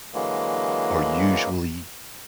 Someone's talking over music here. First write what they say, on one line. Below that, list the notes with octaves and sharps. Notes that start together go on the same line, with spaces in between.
or usually
D3 E3 F#3 G#3 A#3